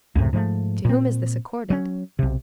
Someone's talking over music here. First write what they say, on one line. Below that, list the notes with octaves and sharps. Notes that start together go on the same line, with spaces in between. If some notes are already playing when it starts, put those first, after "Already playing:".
To whom is this accorded?
C#2 F#2 A2 C3
G#2 F3 G#3 A3
A#2 C4
F#3 C#4
B1 C3